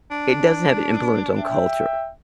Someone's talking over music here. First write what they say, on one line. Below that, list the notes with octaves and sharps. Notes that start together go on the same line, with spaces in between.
It doesn't have an influence on culture,
D4
E5 G5